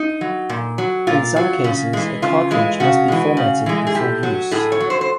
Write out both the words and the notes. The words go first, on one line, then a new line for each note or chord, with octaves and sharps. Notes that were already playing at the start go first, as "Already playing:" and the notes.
In some cases a cartridge must be formatted before use.
Already playing: D#4
F#3
A#2
F#3
A#2 F4
F#3
C#3
E3 G#3
C#3 F4
E3 G#3
C#3 F#4
E3 G#3
C#3
E3 G#3
G#4
A2 G4
F#3
A2 G#4
C#5
F#3
C5
C5